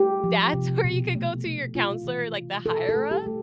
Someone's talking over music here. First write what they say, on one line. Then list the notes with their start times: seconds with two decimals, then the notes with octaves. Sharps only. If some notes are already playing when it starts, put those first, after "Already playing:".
that's where you could go to your counselor, like, the higher ups?
Already playing: A3 G4
0.24 F3
0.54 C3
0.84 B2
1.15 A3
1.45 A3
1.75 A3 F4
2.05 E3
2.35 C3
2.66 B2 A4
2.89 A4
2.96 A3
3.11 G4
3.26 A3